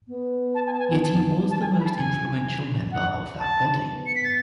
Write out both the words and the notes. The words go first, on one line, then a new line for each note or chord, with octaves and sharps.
Yet he was the most influential member of that body.
B3
A5
G#5
A5
G#5
G#5
A5
A5
G#5
G#5
B5
A5
G#5
F#5
A5
B3
C#7
B6
A6